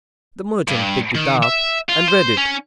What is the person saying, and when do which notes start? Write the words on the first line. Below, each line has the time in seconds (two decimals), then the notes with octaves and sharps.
The merchant picked it up and read it.
0.68 G2
1.15 D#3
1.43 E5
1.89 F4
2.08 C5
2.37 C#4